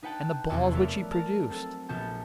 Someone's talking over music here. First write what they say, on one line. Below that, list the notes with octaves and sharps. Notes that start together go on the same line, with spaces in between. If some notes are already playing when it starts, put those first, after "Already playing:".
And the balls which he produced!
D#4 B4 F#5 G5 A5
F1 E2 B2 F#4 D6
F#3 A3 B3 A4 A#4 D5
A#4 A5
C4 A4
A#1 B2 B3 F#4 A5 G6